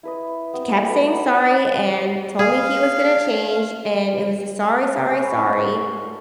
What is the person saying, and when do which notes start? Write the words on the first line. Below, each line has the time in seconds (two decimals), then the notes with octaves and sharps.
kept saying sorry and told me he was gonna change, and it was a, "Sorry, sorry, sorry."
0.03 E4 B4 D#5
0.54 B3 C4
0.85 A3 F#4 B4
2.39 G#4 F5
4.96 C#3 C4
5.15 F#3 C#4 B4
5.28 C#4
5.53 A#3
5.66 F#4 D5
5.93 A3 F4